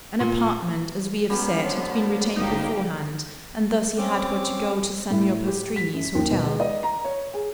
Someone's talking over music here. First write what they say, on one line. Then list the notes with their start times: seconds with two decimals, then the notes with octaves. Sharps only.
An apartment, as we have said, had been retained beforehand, and thus he had but to go to Signor Pastrini's hotel.
0.20 A#2
1.30 F#3 G3 B3 C#4
1.64 D3 C5 C#5
2.36 G1 A#3 D#4 G4
3.98 C4 C#4 D6
5.10 A2
5.47 G4
5.76 B6
5.94 F#2
6.15 D#2
6.30 B2
6.44 G#3
6.60 D#5
6.83 A#5
7.04 C#5
7.34 G#4